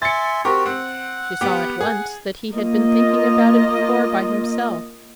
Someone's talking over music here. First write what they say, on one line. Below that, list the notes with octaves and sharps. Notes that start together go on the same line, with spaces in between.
She saw at once that he had been thinking about it before by himself.
E5 G#5 C6 A6 C#7
C4 F#4 G4 A#4
C4 F#5
B3 G4
G#4
A#3 F4 D#5